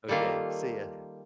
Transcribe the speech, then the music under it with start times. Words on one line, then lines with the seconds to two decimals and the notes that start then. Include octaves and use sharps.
Okay. See ya.
0.08 D#3 G3 A#3 F4 A4